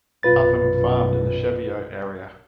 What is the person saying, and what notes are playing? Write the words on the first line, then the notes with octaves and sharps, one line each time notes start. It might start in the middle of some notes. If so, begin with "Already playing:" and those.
Upham farmed in the Cheviot area.
A#1 F#2 B2 F4 B4 A6